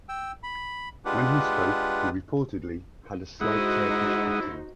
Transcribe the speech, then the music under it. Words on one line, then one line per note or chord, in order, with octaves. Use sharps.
When he spoke, he reportedly had a slight Turkish accent.
G5 E6
B5
G#3 D4 F4 G4 B4 F#5
G#3 D#4 E4 F#4 C5 F#5 D#6